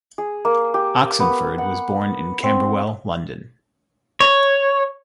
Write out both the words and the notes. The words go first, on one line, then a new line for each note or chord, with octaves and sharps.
Oxenford was born in Camberwell, London.
G#4
A#3
G4
B3
F#5
C4
C#5